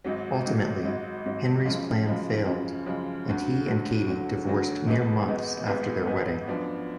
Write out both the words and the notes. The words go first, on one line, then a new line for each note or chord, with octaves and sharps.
Ultimately, Henry's plan failed, and he and Katie divorced mere months after their wedding.
G#1 G#2 F#3
G#1 G#2 F#3
G#1 G#2 F#3
G#1 G#2 F#3
F#2 C#3 F3 G#3
F#2 C#3 F3 G#3
F#2 C#3 F3 G#3
F#2 C#3 F3 G#3
D2 D3 F#3
D2 D3 F#3
D2 D3 F#3
D2 D3 F#3
G#1 G#2 G#3 B3
G#1 G#2 G#3 B3
G#1 G#2 G#3 B3
G#1 G#2 G#3 B3
F#2 F3 B3 D4